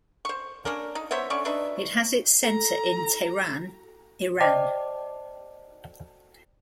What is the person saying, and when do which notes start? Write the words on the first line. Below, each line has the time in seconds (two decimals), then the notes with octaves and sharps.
It has its centre in Tehran, Iran.
0.25 C5 C#6
0.65 A#3 C#4 D4 A#4
0.95 D#4
1.11 B3 C5 C#5 E5
1.30 D3 C#4 D5 C#6
1.45 D4 D#4 B4 E5
2.43 A4 A#5
4.40 C5 D5 D#5 G5 A5 D6